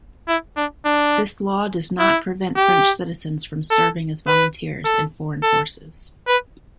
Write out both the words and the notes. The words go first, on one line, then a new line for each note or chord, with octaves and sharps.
This law does not prevent French citizens from serving as volunteers in foreign forces.
E4
D4
D4
E4
G4
A4
B4
A4
A4
B4